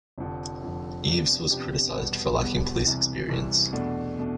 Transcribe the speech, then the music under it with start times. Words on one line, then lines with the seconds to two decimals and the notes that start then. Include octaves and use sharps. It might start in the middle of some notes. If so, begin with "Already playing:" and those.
Eaves was criticized for lacking police experience.
0.18 F1 F2 D3
0.62 F1 F2 D3
1.07 C3 F3 B3 D4 G4
1.51 C3 F3 B3 D4 G4
1.95 E1 E2 B2 G3 B3
2.40 E1 E2 B2 G3 B3
2.85 C2 C3 E3
3.29 C2 C3 E3
3.73 E2 B2 A3 D4
4.19 B2 A3 D4